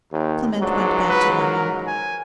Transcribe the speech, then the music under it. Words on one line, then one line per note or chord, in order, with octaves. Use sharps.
Clement went back to London.
D#2
C#2 G#2 F#3 D4
B4
A#4
G#5